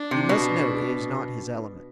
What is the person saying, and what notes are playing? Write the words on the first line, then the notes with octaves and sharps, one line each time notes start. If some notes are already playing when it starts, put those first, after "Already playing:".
"You must know it is not his element."
Already playing: D4
C3
B2